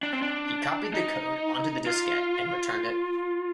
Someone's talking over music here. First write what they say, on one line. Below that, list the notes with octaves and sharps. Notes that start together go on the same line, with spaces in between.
He copied the code onto the diskette and returned it.
D4
C4
D4
D#4
F4